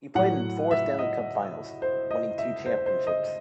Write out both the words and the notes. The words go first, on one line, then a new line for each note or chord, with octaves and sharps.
He played in four Stanley Cup finals, winning two championships.
A2 F#3 F#5
E5
D#5
C5
D#5
E5
C5
C5
D#5